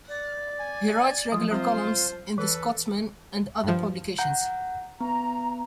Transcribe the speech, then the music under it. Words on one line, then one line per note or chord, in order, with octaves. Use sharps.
He writes regular columns in "The Scotsman" and other publications.
D5
G#5
F3 F#3 F4
G3 C4 F4 C5
E3 A4 B4
G2 F3
F#5 A#5 G6
B3 A#5